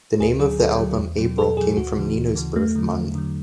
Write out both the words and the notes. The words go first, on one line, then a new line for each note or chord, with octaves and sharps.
The name of the album "April" came from Nino's birth-month.
D2 G#4
D3 F#3 G#4
D2 A4
D3 F#3
E2
B2 F#3
E2 A4
B2 F#3 G#4
D2 F#4
C#3 E3
D2
C#3 E3
E2 A3
D3 F#3
E2
D3 F#3